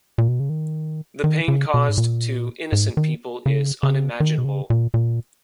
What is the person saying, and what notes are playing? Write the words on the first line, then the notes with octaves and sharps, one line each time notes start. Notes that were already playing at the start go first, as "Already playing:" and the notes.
The pain caused to innocent people is unimaginable.
A#2
B2
C#3
D#3
D#3
C#3
B2
G#2
A#2
G#2
D#3
C#3
C#3
D#3
B2
C#3
A#2
A#2